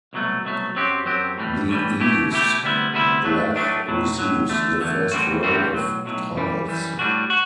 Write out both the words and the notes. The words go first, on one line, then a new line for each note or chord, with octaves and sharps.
The eaves lath receives the first row of tiles.
C2 B2 F#3 A3
C2 B2 F#3 A3
F#2 F#3 C4 G4
F#2 F#3 C4 G4
A2 E3 G3
A2 E3 G3
B2 A3 E4 G4
B2 A3 E4 G4
D2 C3 G3 B3 E4
D2 C3 G3 B3 E4
A2 F#3 A3 D4
A2 F#3 A3 D4
B1 A2 F#3
B1 A2 F#3
E2 D3 A3
E2 D3 A3
A2 E3 G3 C4 F#4
A2 E3 G3 C4 F#4
B1 A2 F#3
B1 A2 F#3
F#2 E3 G3
F#2 E3 G3
A2 G3 D4 F#4
F#4